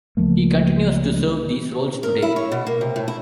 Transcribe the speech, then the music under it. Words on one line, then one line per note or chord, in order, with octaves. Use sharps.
He continues to serve these roles today.
C#2 F3 A3 A#3
A#4
E4
C#5
B2
A#3
C3
A2
E4